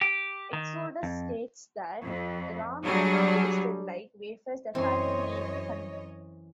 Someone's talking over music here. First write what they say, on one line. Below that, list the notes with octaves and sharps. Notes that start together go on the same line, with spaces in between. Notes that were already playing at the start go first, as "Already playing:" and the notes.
Exodus states that raw manna tasted like wafers that had been made with honey.
G4
D#3
F2
F2
F#3 G3 D4 G#4
F#2 E3 C4 C#5 D#5 C6